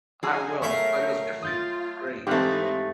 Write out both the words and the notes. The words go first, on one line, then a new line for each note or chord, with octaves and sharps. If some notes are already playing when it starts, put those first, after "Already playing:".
I will, but it was definitely great.
F#3 D#4 G#4 G#5
A3 A#4 C#5 E5 F5
F4 D#6 G6 A6
G#2 E3 A3 C4 D#4 G4 F5 F#6